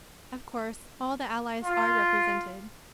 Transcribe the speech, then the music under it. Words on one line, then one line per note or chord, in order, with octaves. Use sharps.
Of course, all the allies are represented.
F4